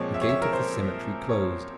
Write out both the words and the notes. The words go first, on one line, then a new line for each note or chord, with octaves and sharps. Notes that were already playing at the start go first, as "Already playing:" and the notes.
The gate of the cemetery closed.
Already playing: A#2 F3 G#3 C4 C#5
E5
C#5
E5
A#4
C5
C#5